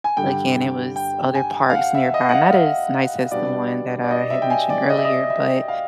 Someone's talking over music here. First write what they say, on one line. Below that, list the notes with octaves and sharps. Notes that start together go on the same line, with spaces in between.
again it was other parks nearby, not as nice as the one that I had mentioned earlier, but
G#5
G2 D3 G3 G5
G5
G#5
F5
F#5
E5
D#5
F#5
F5
F5
E5
B2 G3 B3 D4 D5
D5
D#5
E5
G5
G#5
D5
D#5
E5
D#5
E5
F5